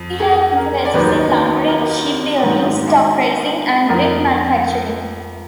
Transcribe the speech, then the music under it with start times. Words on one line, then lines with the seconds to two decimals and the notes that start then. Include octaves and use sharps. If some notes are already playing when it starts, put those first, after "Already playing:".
He had interests in lumbering, ship building, stock raising and brick manufacturing.
Already playing: F2
0.20 G#4
0.57 A#4
0.85 D5
0.94 D#2 D#3 F#3 B3 B4
1.68 A#4
2.42 G#2 D#3 F#3
3.89 F2 F3 A#4